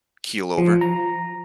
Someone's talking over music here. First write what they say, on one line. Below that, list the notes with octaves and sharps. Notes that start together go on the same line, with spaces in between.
keel over?
F3
A#5